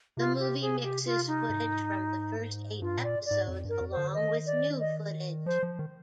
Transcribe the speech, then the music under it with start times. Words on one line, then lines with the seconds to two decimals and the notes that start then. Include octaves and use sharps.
The movie mixes footage from the first eight episodes along with new footage.
0.17 C3 F4
0.39 G4
0.61 G#4
0.83 G4
1.05 F4
1.27 D#4
1.50 G#2
2.82 G2 F4
2.98 A#2
3.03 D5
3.25 D5
3.31 G#2
3.48 F2
3.64 G2 A#4
3.80 F2
3.92 C5
3.97 D3
4.14 D#3 D#5
4.46 D5
4.80 D#5
5.46 F3 C5
5.63 F3
5.79 D#3